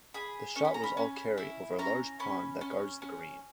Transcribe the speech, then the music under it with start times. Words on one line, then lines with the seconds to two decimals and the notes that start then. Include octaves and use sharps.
The shot was all carry over a large pond that guards the green.
0.14 G#4 B5
0.56 C#4 C#6
0.65 B5
0.74 A#5
0.84 B5
0.97 C#4
1.38 E4
1.79 C#4 A#5
2.20 C#4 B5
2.61 C#4
3.02 C#4